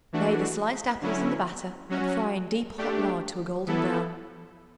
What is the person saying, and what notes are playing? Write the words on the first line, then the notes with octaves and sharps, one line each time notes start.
Lay the sliced apples in the batter and fry in deep hot lard to a golden brown.
E3 A3 D4 F#4
D3 F#3 C#4 E4
F#3 C#4 F#4
A3 D4 G4
E3 B3 E4 A4